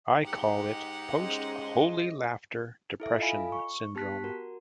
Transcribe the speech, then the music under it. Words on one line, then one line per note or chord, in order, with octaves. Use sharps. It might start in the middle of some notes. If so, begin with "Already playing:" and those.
I call it post-Holy Laughter depression syndrome.
G#2 D#4 G4 F#5
G#3 C#4 C5 D#5
E4 A4 E5
F4 A4 D#5 F5 G#5 B5
C#6
B3 G4 A5 F#6 B6
F#4 A#4